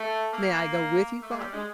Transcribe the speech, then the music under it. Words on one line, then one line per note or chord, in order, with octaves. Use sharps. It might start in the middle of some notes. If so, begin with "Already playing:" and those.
"May I go with you, father?"
Already playing: A3
A#3
A3
G#3
G3
G#3